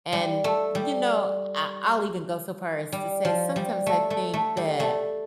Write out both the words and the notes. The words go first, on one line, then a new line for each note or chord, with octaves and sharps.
And, you know, I I'll even go so far as to say, sometimes I think that
G3
A3
G3
G3
F3
G3
A3
A3
A3
G3
A3